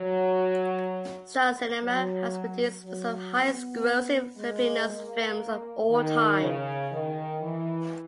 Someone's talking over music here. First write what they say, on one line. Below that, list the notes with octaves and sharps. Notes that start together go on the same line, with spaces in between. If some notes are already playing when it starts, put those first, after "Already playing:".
Star Cinema has produced most of the highest grossing Filipino films of all time.
Already playing: F#3
F#3
F#3
B3
G#3
A#3
D#3
C#3
D#3
E3